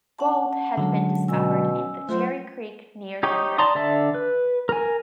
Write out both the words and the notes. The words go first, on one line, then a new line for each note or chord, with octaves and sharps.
Gold, had been discovered in the Cherry Creek, near Denver.
C#4 F#5 A5
D3 F#3 G#3
B2 C#4 G#5 E6
F#3 A3 F4 C5
D#4 G4 C#5 D#5
D5 A5 A#5 C6 D#6
D3 D5 E5 A5
B4
A#4 G#5